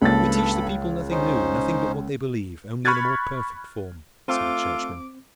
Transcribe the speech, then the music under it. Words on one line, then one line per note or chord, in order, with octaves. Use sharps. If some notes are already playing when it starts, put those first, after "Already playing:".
"We teach the people nothing new, nothing but what they believe, only in a more perfect form," say the Churchmen.
C#2 G2 A#3 A4 B5 A6
C#4 D#4 C5
B5 C#6 F6 F#6 G#6 A6
A3 C4 F4 A4 D6